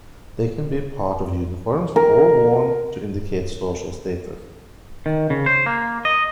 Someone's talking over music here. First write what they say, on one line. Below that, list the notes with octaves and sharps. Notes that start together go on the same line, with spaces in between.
They can be part of uniforms or worn to indicate social status.
A#4
D#3
C#3
C5
A#3
D#5